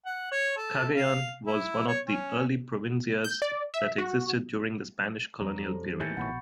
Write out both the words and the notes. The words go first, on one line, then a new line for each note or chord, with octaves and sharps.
Cagayan was one of the early "provincia"s that existed during the Spanish Colonial Period.
F#5
C#5
A4
F5
E4
C#5
C#4
G6
D5
E5
F#4
F2 G3 C#5 A#5
A4 C5
D#2 A2 E3 G6 A6 C#7
A#1 B2 F#5 B5 C#6